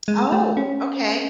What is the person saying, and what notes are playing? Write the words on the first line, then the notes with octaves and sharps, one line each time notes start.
Oh, okay.
G#3
A3
C#4